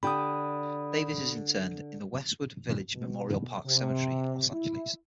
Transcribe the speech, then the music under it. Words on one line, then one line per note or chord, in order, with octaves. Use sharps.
Davis is interred in the Westwood Village Memorial Park Cemetery in Los Angeles.
D3 G4 B5 D#6
B2
C3
E4